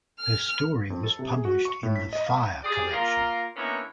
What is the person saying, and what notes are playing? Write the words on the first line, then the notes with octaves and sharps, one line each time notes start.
Her story was published in the 'Fire' collection.
F6
F2
A4
C3
G#4
F#4
C#6
A2
B6
D#5
F5
G4 G#4 D5
A#3 F4 A#4
D3 A#3 B3 C#4 D#4 E4